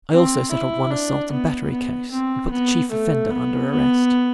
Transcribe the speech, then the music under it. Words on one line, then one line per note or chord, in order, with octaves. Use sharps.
I also settled one assault and battery case, and put the chief offender under arrest.
C4
E4
D4
B3
B3
C4
B3
A3
B3
B3